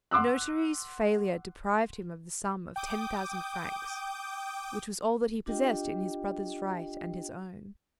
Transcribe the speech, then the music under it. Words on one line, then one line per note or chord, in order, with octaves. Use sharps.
A notary's failure deprived him of the sum of ten thousand francs, which was all that he possessed in his brother's right and his own.
F#5 C6 D6 E6 F#6
G5 D6 D#6 G6
D4 F4 G4 D#5 G5